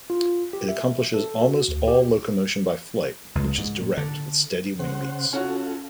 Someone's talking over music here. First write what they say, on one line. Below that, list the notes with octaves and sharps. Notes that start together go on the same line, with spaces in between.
It accomplishes almost all locomotion by flight, which is direct, with steady wing beats.
F4
G4
E5
A4
F#4
D2
G4
C#2
G#2
A#2
D3
C#3 C5 F#5
C#4 F4 F#4 A4